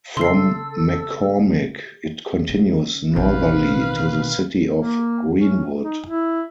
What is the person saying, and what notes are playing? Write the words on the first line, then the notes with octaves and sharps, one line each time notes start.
From McCormick, it continues northerly to the city of Greenwood.
C#3 A4 C6 E6 C7
C#3
A1 B2 D#3 C4 B4 F5
A#3
C#4
D#4
E4